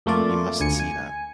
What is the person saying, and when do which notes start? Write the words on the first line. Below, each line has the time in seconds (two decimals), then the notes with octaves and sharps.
You must see that?
0.06 F2 A3 A#3 F4 D5
0.60 D2 G#5 C#7
0.80 G#5